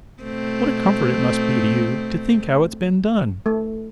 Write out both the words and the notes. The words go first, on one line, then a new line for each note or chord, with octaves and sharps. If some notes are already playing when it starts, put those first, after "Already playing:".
What a comfort it must be, to you, to think how it's been done!
B2 A3 C4
A3